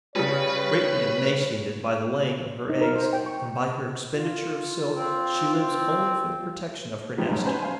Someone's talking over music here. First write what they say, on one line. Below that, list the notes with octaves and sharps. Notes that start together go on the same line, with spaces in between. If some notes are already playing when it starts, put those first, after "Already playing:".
Greatly emaciated by the laying of her eggs and by her expenditure of silk, she lives only for the protection of her nest.
C#3 G3 B4 C#5
D#4
A#4
C5
G5
C#6
F4
C4
C4
G#2 F3 G4 B4
G1 D2 F#3
C#4 B4 C5 G#5
F5 G#5